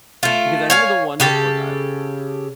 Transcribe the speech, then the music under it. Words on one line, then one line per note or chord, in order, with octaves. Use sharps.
Because I remember the one before that.
A3 F4
C#5 F5 G#5
C#3 G4 A4